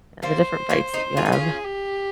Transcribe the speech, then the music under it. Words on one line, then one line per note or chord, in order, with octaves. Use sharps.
Yeah. The different fights that you have.
G3 A#3 C5
A#3 C#4
C4 D#4
F4 G#4
D#4
C#4 F4
G4